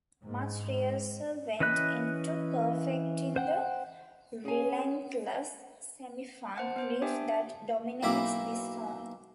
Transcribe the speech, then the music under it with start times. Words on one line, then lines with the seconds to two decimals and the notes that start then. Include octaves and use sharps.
Much rehearsal went into perfecting the relentless semi-funk riff that dominates this song.
0.25 G#2
1.60 E3 C#4 D#5 B5 F#6
3.36 C5 F#5 G5
4.45 C#4 G#4 G#5
6.56 C5 F#5 A5
6.76 B3 C5
7.02 D4 G4 E5 G5 G#5
8.03 B1 A#3 E4 B5 D6